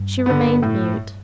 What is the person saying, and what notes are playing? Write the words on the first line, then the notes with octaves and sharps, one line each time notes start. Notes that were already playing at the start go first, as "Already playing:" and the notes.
She remained mute.
Already playing: G2
D3 B3
A2